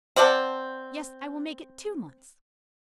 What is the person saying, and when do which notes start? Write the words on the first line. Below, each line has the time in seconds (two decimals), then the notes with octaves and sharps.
Yes, I will make it two months.
0.16 C4 D5 F#5 A5